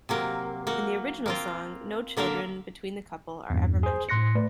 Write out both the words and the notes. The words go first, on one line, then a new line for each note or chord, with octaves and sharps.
In the original song, no children between the couple are ever mentioned.
C3 F#3 A#3
A#3 F#4
A#3 C4 F4
D3 A#3 A#4 E5 F5
E2 G2
G#4 C5
A2 C6 F#6 A#6 C#7
A3 B4 D5